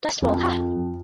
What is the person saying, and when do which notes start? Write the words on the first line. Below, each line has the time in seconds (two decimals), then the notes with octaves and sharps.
Dust Bowl Ha!
0.22 F2